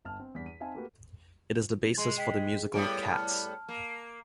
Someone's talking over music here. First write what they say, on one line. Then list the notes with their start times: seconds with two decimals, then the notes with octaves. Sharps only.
It is the basis for the musical "Cats".
0.05 G1 A5 F6
0.19 C4
0.35 E2 G2 B6
0.46 D#7
0.60 C4 D#4 F5 G#5 A5
0.75 A3 A#3 F#4 G4 A#4 B4
1.98 G#3 C6
2.16 D#5 G5 B6
2.74 A2 G3 B3 D#6 D7
3.12 A5 F6
3.68 A#3